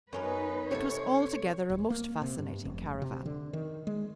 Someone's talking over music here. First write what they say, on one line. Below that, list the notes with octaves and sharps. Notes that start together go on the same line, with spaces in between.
It was altogether a most fascinating caravan.
F#2 B3 C#4 D#4 A#4 B4
C3 A4 C#5
D#1
A#3
C3
G2
F1
C3
D3
D#3
G#3